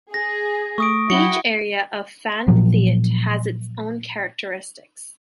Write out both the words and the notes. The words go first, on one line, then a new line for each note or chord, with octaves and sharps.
Each area of Phan Thiet has its own characteristics.
G#4 A#6
A3 C#6 D#6 D7
F#3 E4 F#4 G5 C#7 G7
A#2 F3 F#3